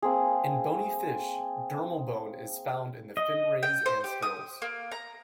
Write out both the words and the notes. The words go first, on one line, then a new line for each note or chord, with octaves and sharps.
In bony fish, dermal bone is found in the fin rays and scales.
A#3 C4 G#4
D#5
G5
C5
G4
D#6
A#3
A#5